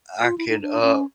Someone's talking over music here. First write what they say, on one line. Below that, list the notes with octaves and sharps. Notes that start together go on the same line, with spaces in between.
I could, uh,
F4
E4
D#4
D4
C#4